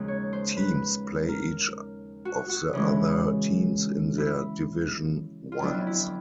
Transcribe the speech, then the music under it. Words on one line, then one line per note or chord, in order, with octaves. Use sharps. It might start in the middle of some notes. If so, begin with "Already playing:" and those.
Teams play each of the other teams in their division once.
Already playing: D#2 C#3 F3 G#3
C#5
C5
B4
A#4
F#4
F#4
C#3 E3 G#3
E4
F4
F2 D3 F#3 B3 D4 E4
E4